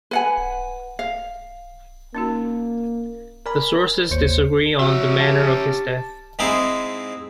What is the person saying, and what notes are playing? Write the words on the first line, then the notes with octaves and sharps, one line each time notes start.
The sources disagree on the manner of his death.
B4 F#5 G#5
F5
A#3 C#4 D#4 F#4
A#4 D5 G#5 B5
G#1 D#2 C5 C#5 C#7
C#4 F#4 E5
G4 A5
G#2 G#3 C4 D#4 E4